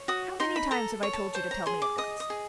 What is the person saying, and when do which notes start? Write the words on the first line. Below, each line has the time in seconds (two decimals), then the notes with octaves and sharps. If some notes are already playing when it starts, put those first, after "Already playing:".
"How many times have I told you to tell me at once?"
Already playing: C#5
0.08 F#4 D#6
0.40 D#4 C6
0.56 B5
0.71 A4 A#5
1.03 C#5
1.13 A5
1.35 C5 A5
1.51 A#5
1.66 G#4 C6
1.82 D6
1.98 D#5 D#6
2.20 D#6
2.30 G#4